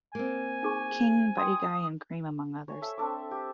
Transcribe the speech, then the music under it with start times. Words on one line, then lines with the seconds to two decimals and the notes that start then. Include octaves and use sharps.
King, Buddy Guy and Cream among others.
0.15 A#3 C4 G#5
0.63 D#4 G#4 C#6
1.38 G5 C6 D#6
2.68 C#5 G#5
2.82 A4 E5
2.98 C4 D4 A4 D6
3.31 G4